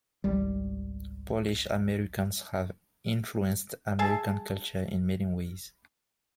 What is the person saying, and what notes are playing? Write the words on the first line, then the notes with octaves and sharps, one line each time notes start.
Polish-Americans have influenced American culture in many ways.
G#1 C#2 G3
G#4 E5 A5